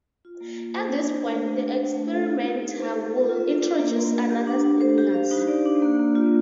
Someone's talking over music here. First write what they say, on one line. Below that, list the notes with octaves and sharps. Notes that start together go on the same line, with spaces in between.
At this point, the experimenter will introduce another stimulus.
F4
A#3
A#3
C5
D4
C5
A3
G4
D4
C5
A3
A4
G4
D#4
D#4
C5
A4
F4
F4
D5
D4
A#3
A#3
G4
G4
D4
D4
C5
G4
F5
D#4
D5
D4
A#3
A#3
F4